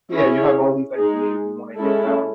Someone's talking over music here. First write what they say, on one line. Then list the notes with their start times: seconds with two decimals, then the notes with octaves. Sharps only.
Yeah, you have all these ideas you wanna get down.
0.14 C#4 E4 G#4 C#5
0.96 G#3 D#4 G#4
1.78 G#3 C#4 E4 A4